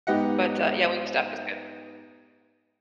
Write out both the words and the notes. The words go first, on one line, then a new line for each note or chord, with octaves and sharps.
But, uh, yeah, Wingstop is good.
G#2 B3 D#4 G4 D#5 F#5